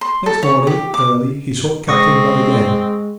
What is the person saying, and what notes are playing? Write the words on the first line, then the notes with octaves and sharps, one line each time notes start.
Next morning early he sought Captain Blood again.
C6
A4
C#5
G4
D6
B2 G#3 C4 C#6 D#6 A#6